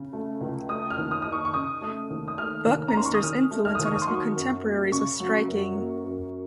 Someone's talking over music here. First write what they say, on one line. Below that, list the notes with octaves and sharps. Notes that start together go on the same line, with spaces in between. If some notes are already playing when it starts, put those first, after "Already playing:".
Buckminster's influence on his contemporaries was striking.
Already playing: C#3
A3
C#2
A3 D#6
F6
D#2
D#6
D#4 D#6
C#6
C#6
C#3 D#6
A3
D#2
D#6
A3 F6
D#2
A#5
C#4 C6
C#6
D#6
D#3 F6
A3
F6
D#2 D#6
C#6
D#6
C6
F#3 C#6
F#2
A#3
C#3 C#6
F#3
F#2
A#3
F#2